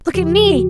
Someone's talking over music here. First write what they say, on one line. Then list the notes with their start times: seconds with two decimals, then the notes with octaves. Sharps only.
"Look at me!"
0.14 E2 C#3 F3 G4
0.47 F#4